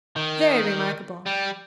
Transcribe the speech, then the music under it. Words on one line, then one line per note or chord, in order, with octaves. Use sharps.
Very remarkable!'
D#3
G3